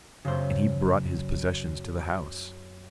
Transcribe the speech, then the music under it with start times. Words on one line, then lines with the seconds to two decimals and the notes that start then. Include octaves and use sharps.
And he brought his possessions to the house.
0.25 F#2 C#3 C5